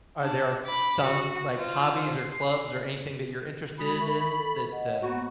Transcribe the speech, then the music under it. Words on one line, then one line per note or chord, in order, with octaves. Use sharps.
Are there s some, like, hobbies or clubs or anything that you're interested in that, uh
D4
B5 D6
F#4
F4 C5
C7
G#3 F#4 B5 D#6
A#4 E5 C#6
A4
D#5 F#5
A#3 B3 F#4